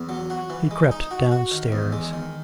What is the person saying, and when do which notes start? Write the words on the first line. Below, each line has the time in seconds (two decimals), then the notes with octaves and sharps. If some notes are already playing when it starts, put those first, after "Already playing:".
He crept downstairs.
Already playing: E2
0.09 F#3
0.30 F#4
0.50 E3
0.71 G#3
0.91 D#4
1.11 F#4
1.32 F#4
1.52 D#3
1.72 E2
1.92 G#3
2.13 D#3